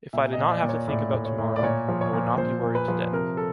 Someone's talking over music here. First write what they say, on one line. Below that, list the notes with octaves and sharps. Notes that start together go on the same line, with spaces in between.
If I did not have to think about tomorrow, I would not be worried today.
A#2 E5
D#5
A#2
D5
A#2
C#5
A2 D5
A2
C#5
A2
D5
A#2 C#5
F3
C#5
A#2
A#2 C5
A#2
B4
F3
C3 A#4
A4